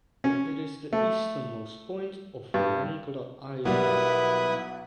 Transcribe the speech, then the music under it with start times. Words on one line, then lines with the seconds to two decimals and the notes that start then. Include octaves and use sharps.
It is the easternmost point of Wrangel Island.
0.24 C#4
0.93 A3
2.54 G2
3.65 B1 B2 G3 A#3 B3 E4 B4 D#6